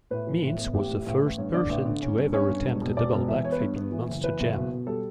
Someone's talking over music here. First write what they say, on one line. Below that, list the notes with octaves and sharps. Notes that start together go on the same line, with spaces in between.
Meents was the first person to ever attempt a double backflip in Monster Jam.
A2 B4
E3
A2
B3
A1 G4
A2
A1
A1
G2 C#5
D3 D5
A1
D3
C#4
G2
C#4 C#5
G2
E1
E1
E1 D5
E1
E3 E5
B3 C#5
B4
G2 C#5
B3
E3
F#1
E3 B4
F#1
B2
B2
G3 A4